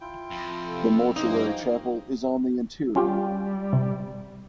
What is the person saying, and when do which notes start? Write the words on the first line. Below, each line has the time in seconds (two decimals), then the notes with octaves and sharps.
The mortuary chapel is on the interior.
0.01 E4 F4 G5
0.31 F2
0.67 C3 A4
1.16 G2 F3 G#3 A#3 D#4 D6
1.43 F#4 G5
2.96 G3 C#4 F4 G4
3.73 C3